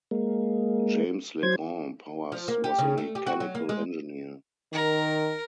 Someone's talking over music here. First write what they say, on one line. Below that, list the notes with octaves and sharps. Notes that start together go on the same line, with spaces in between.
James Legrand Powers was a mechanical engineer.
G#3 A#3
F#3 C5 G#6
F3
A#3
G4
C#3
A3
G4
F#4
F#3
A#3
G#3
D#3 A#4